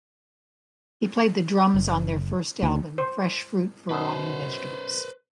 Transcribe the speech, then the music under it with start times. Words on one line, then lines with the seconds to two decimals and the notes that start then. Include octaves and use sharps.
He played the drums on their first album, "Fresh Fruit for Rotting Vegetables".
1.74 F#1
2.63 D2
2.98 C5
3.90 F#2 B2 B4 C5